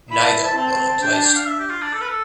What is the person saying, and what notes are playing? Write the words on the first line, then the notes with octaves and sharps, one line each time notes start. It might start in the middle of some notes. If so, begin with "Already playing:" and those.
Neither were replaced.
E4 B5
A5
A5
C4 A5
D4 G5
A5
G5
F5
E5
G4
F4
D4
A4
B4
A4